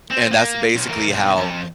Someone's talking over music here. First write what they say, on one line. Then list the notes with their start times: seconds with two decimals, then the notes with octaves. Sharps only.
And that's basically how
0.11 C4
0.31 A#3
0.75 B1
0.89 E3 A#4
1.10 B1
1.38 F2